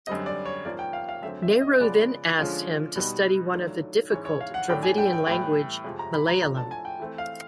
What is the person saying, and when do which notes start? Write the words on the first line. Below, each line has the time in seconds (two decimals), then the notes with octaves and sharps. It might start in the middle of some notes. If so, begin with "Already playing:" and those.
Nehru then asked him to study one of the difficult Dravidian language Malayalam.
0.07 F#2 D3 G3 C4 D#5
0.26 D5
0.45 C#5
0.65 G#2 F3 A#3 C#4 D5
0.79 G5
0.93 F5
1.09 F5
1.22 F#2 D3 F#3 A3 C4 E5
1.42 E5
1.61 D#5
1.80 C#3 F3 G#3 B3 D5
2.38 D3 F3 G#3 C#4 F4
2.96 B2 G3 B3 D#4
3.54 D#3 F#3 A3 D4 F4
4.11 G#2 E3 G#3 C#4 C#5
4.25 C#5
4.41 F5
4.54 F#5
4.68 A2 F#3 A3 D4 G5
4.83 G#5
4.98 G5
5.13 G5
5.27 A2 E3 G3 B3 G5
5.84 F2 C3 F3 G#3
5.99 A#5
6.14 B5
6.28 A#5
6.43 A2 F3 A3 D4 A#5
6.57 A5
6.71 G#5
6.85 G5
7.00 E3 A3 C4
7.18 F5